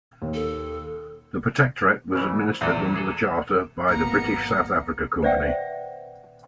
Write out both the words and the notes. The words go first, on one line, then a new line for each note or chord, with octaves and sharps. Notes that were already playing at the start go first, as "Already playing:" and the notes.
The protectorate was administered under charter by the British South Africa Company.
D#2
A4
A#1 C#3 E3
E2 A#2 C4 A4
G#3 G#4 A4
G#1 F2 A#3 B3 A#5 C#7
B4 C5 D5 E5 F#5 G5